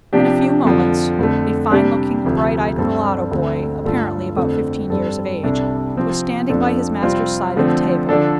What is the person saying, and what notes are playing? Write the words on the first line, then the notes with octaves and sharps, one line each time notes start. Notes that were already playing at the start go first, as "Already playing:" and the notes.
In a few moments a fine looking, bright-eyed mulatto boy, apparently about fifteen years of age, was standing by his master's side at the table.
C3 F3 D4 G4
F2 D3 F3
F2 D3 A3
C3 G3 D4 G4
D2 C3 F3
G2 G3 C4 A4
D2 D3 A3 C4
G2 D3 A3 F4 A4
F2 D3 A3 C4 A4
G2 G3 C4 A4
C2 C3 G3 D4 A4
C3 F3 C4
F2 F3 D4 A4
C3 G3 C4 F4
D3 F3 A3 C4
D3 F3 D4 A4